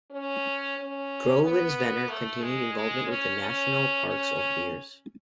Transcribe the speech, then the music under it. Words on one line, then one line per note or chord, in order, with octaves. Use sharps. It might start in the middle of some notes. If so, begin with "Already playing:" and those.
Grosvenor continued involvement with the National Parks over the years.
C#4
C#4
B3
A3
G#3
G#3
C#4
C#4
C#4